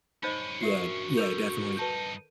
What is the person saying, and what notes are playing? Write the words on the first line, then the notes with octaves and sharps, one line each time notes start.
Yeah, yeah, definitely.
G2 C#4 D#4 C5 D#5 B5 G6
F#4 A#4 E5 C7
A4 A#4 G6 F7
G2 D#4 B4 A5 G6